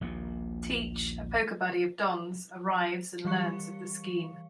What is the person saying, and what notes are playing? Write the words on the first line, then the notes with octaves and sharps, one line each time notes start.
Teach, a poker buddy of Don's, arrives and learns of the scheme.
A#1 D#2 A#2
E3 G3 G4 F5 C#6 C#7